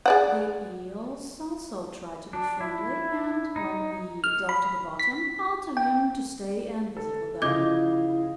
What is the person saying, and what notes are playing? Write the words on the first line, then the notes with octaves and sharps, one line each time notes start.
The Eels also tried to be friendly, and, when he dove to the bottom, called to him to stay and visit with them.
G#4 D5 F#5
D4
E4
D#4
F6
B5
B6
G5
A4
C#3 F3 E4 D#5 F5 D6 G6 G#6